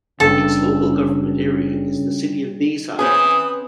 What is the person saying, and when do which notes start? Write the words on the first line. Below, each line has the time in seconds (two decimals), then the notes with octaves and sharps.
Its local government area is the City of Bayside.
0.20 F#1 D2 G2 C#3 A4
2.99 E3 C4 C#4 G#4 B4 D#6